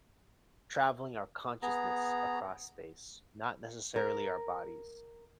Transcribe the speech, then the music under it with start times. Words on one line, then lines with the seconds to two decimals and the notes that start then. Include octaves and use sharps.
traveling our consciousness across space, not necessarily our bodies.
1.62 B3 G#4 A#5
3.96 A#4